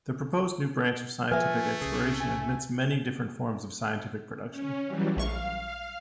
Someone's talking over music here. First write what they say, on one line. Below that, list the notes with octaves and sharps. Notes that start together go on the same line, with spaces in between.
The proposed new branch of scientific exploration admits many different forms of scientific production.
F3 A3 B4 E5 G#5
C2 C#3 G#4
G#5
C#4
E3 F#3 G3
A#1 A3 F5 C#6